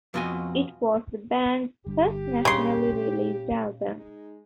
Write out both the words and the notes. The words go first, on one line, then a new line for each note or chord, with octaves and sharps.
It was the band's first nationally-released album.
F2 B2 F4 F#4 G#5
G1 G2 G4
A#2 C#3 G3 D4 C6
G#3 D#4